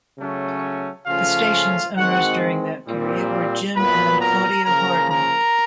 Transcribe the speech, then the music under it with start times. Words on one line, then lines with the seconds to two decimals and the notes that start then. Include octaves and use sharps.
The station's owners during that period were Jim and Claudia Harden.
0.18 C#3 F#3 A3 C#4
1.07 C#3 F3 A3 C#4 F4 F5
1.97 D#3 G#3 C4 F#4 F#5
2.87 A#2 G3 C4
3.76 A#2 F#3 B3 B4 B5
4.21 A#4 A#5
4.65 C#3 F3 A#3 A#4 A#5
5.11 A#4 A#5